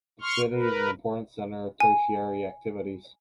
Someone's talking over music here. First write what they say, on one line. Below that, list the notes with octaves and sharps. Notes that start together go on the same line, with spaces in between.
The city is an important center of tertiary activities.
C6 C#6 F6
A#4 B4
G#5